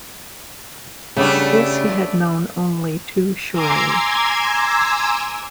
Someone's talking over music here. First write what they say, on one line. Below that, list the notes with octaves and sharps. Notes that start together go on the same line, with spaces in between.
This he had known only too surely.
C#3 G3 A3 B3 D4
G#5 A#5 C6 D6 E6 G#6